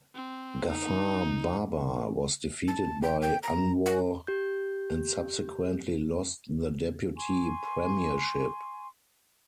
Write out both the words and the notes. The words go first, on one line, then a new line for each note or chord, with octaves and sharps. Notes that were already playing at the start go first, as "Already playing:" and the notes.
Ghafar Baba was defeated by Anwar and subsequently lost the deputy premiership.
C4
D#4
A5
G5
G5
A#5
F#4
G4 G6
G#5 C6 C#6